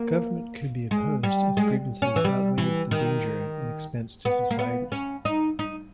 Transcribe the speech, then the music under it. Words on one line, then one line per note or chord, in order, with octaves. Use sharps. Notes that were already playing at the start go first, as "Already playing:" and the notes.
Government could be opposed if grievances outweighed the danger and expense to society.
Already playing: A#3
G#3
G3
G#3
C#4
E3
G3
E3
D#3
B3
A#3
B3
C#4
D#4
D#4